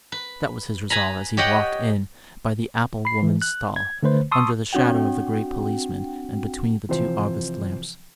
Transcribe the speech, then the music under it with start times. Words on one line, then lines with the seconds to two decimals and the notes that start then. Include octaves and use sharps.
That was his resolve as he walked in by the apple-woman's stall, under the shadow of the great policeman, and between the two august lamps.
0.12 B4
0.90 B4 G#5 A#5 B5
1.37 G4 C#5 D#5 F#5 G5
3.05 B5 C7
3.23 E3
3.42 F#6
3.76 G#6
4.03 D3 A3 B4 C5
4.31 A5 C6 C#6 D#6 E6
4.73 C4 D4 F#4 F#5 G5
6.89 C3 E3 F3 C5